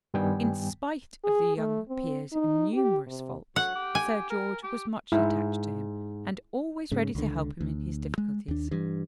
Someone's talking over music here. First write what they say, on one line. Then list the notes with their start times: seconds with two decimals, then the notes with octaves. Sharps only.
In spite of the young peer's numerous faults Sir George was much attached to him, and always ready to help him in his difficulties.
0.14 G2 D#3 G3 B3 G5 G#5
1.25 G#4
1.58 A3
1.88 C4
2.33 D#4
2.74 G4
3.07 C3
3.56 F#3 F#5
3.75 G4
3.95 G#5
4.30 A#4
4.64 G4
5.12 G#2 E4
6.91 G#2 C#3
7.15 C#2 D3
7.61 D2
8.18 G#3
8.48 D#2 D4
8.71 G2 E3